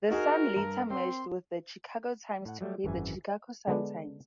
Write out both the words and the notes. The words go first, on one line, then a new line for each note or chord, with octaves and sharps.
The Sun later merged with the "Chicago Times" to create the "Chicago Sun-Times".
D#4 F#4 G#4 A#4
G2 A#5
C4 C6
A2 F#5
F#3 G3 A3
G#1 F#2 E3 G#5
D3 G#3 B3 D4